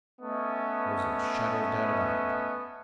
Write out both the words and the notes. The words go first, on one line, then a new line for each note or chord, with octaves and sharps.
There wasn't a shadow of doubt about it.
A3 B3 C#4 D#5 E5